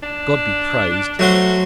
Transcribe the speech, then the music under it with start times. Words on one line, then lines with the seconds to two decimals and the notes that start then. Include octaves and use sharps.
God be praised!
0.03 D4
1.19 F#3 A3 F#4 C5